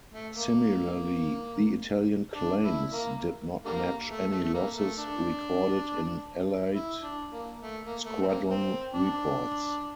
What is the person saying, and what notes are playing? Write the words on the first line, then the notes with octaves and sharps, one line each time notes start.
Similarly, the Italian claims did not match any losses recorded in Allied squadron reports.
A3
A#3
D4
E4
A#3
D3 G3 A#3
A3
A3
A3
A#3
A3
D4
E4
D4
A#3
A3
A#3
A3
C4
A#3
C4
D4